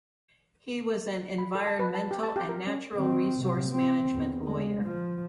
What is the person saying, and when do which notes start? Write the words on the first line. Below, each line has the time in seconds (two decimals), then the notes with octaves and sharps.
He was an environmental and natural resource management lawyer.
1.38 B5
1.55 A4
1.67 A5
1.79 B4
1.95 A5
2.11 G4
2.23 A5
2.36 G4
2.49 A#4
2.67 C#4
2.95 D#3 C4
3.40 C3 F#3
3.69 C4
4.12 E2
4.45 G#3
4.83 F3